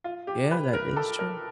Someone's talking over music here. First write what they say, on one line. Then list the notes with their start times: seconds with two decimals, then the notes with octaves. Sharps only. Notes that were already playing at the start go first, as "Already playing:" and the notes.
Yeah, that is true.
0.04 F4
0.27 G4
0.51 B4
0.73 A#4
0.96 A4
1.19 A#4